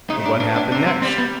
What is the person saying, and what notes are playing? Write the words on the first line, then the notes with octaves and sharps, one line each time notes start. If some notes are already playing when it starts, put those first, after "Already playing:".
"What happened next?"
C3 D#4
D4
B2 D4
D4
C3 D4
C4
G3 C4
B3